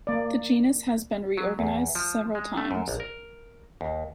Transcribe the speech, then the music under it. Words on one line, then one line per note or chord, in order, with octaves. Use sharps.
The genus has been reorganized several times.
A#3 D5
F#3
E2
F3
G#3
A3
F#2
A#1
A#4
D#2